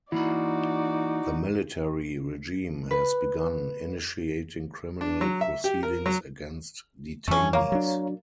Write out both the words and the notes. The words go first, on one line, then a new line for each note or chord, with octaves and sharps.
The military regime has begun initiating criminal proceedings against detainees.
E3 A#3 D#4 E4 F#4 D5 B5
B4
D4
F#3
E5
G4
A#4
F#3
F2 E3 A3 C#4
A#3 C#5 F5 A#5
F#3 D4